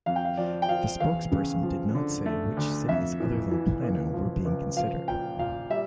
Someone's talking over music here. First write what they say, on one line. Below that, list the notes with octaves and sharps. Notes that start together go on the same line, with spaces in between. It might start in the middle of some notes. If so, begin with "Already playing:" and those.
The spokesperson did not say which cities other than Plano were being considered.
F2 F5
G5
F5
F3 D5
G5
F3 F5
E2 F5
C#3
F3
D3
A3
D2
F2 E5
E3
E3
C#2
F3
C#2
F3 F5
A#2 G5
A#2 F5
G3 E5